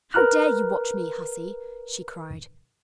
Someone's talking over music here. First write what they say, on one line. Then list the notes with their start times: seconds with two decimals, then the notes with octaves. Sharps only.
"How dare you watch me, hussy?" she cried.
0.14 A#4 B4 A#5 F6 F#6